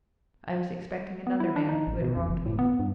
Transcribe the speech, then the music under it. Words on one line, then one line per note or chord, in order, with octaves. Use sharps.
I was expecting another man who had wronged me.
B3
E4
D4
D#4
A1
B2
F2
F#1
A2
B3
G2